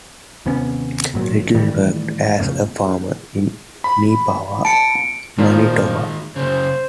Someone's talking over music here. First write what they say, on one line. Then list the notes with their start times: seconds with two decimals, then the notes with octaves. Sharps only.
Little worked as a farmer in Neepawa, Manitoba.
0.46 D#2 C3 B3 C#4
1.14 G#1 A#2 F#3
1.55 A2 D#3 E3 G3
2.39 F2 A2 C#3
3.84 B5
4.65 A5 C#7 D7
5.39 A#2 D#3 F3 G#3
6.36 F#2 C#3 C5